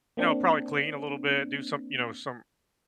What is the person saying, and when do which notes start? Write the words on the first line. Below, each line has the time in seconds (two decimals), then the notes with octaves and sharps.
you know, probably clean a little bit, do some you know, some
0.17 A#3 C4 D4